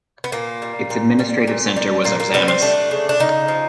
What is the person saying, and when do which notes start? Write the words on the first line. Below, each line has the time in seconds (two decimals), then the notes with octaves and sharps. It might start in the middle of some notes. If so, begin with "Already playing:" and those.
Its administrative centre was Arzamas.
0.24 B3
0.32 A#2 A#3
0.62 G3
0.90 A#2
1.19 G3
1.47 A#2
1.76 G3
2.04 A#2 A#3
2.20 A#3
2.34 G3 B3
2.48 C4
2.62 A3 D4
2.91 C#3
3.09 D4
3.19 C#3 D#4
3.48 F3